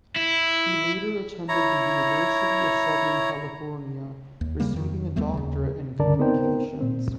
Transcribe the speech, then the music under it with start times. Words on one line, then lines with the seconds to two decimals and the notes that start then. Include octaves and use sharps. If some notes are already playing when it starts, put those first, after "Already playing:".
He later attended the University of Southern California, receiving a doctorate in communications.
0.16 E4
1.48 E4 C#5 A#5
4.41 D#2
4.60 C#3 G3 A#3
4.74 F2 D#3
5.16 D#2 G3 A3 B3
5.34 D#2 C#3
5.99 C#2 G2 D3 A#4 D5 A5
6.19 B3 C4 D#4 A#4 C5 G5
6.80 A#2 C4